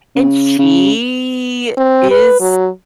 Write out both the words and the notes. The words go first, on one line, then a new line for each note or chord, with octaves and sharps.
and she is
C#3
C#3
C4
B4
F#3